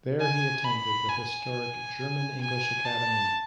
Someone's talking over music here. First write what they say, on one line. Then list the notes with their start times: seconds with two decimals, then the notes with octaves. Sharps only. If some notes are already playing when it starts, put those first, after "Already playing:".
There he attended the historic German-English Academy.
0.21 G#5
0.64 B5
1.09 G#5
2.41 G#5
2.85 A5